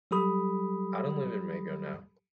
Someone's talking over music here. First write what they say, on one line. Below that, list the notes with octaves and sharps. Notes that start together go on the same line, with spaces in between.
I don’t live in Maigo now.
F#3 G3 G4 A4 B5 D#6